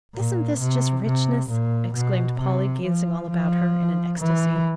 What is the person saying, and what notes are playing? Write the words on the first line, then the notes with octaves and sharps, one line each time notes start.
"Isn't this just richness?" exclaimed Polly, gazing all about her in an ecstasy.
A#2
C3
C3
A#2
B2
C3
F3
F3
E3